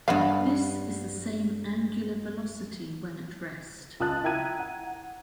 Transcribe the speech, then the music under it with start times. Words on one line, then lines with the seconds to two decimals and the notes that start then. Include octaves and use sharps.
This is the same angular velocity when at rest.
0.08 G2 B3 F5 F#5
4.00 C#2 F4 A5 D#6 F#6 A6
4.24 E4 G5 A#5 G#6 D#7
4.59 F#5